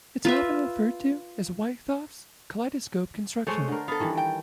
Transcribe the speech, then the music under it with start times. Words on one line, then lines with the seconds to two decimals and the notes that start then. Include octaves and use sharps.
It is often referred to as Wythoff's kaleidoscopic construction.
0.25 F4 B4 E5
3.47 G#3 A3 C5 C#5
3.68 D3 A#4
3.88 B3 A4 F5
4.00 D#3 E3 G3
4.17 G5